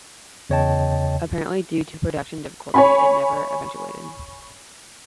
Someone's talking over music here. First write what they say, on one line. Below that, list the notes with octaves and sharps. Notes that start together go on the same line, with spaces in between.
Apparently due to production difficulties, it never eventuated.
E2 C#3 C#5 D#5 G5 A5
C#5 G#5 B5